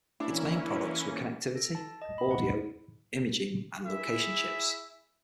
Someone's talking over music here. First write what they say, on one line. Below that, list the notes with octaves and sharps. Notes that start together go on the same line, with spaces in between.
Its main products were connectivity, audio, imaging and location chips.
E3 A#3 C#4 D4 E4
A4
A5
D#5
B5
F#5
E4 G#4 E5